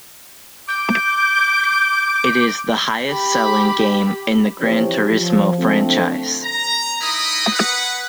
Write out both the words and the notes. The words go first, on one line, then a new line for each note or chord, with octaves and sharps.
It is the highest-selling game in the "Gran Turismo" franchise.
D6 G6
G4 B5
E3 F3 C4 G4 C5 C#5
F3
D3 F3 A3 C4
A#5
D#4 E4 A#4 D#5 B5 D#6
B4 F#5